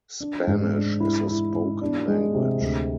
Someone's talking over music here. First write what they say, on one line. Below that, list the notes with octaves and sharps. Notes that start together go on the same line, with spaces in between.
Spanish is a spoken language.
D4
G#2
D4
E4
E4
E4
D4
G#3
C3
D2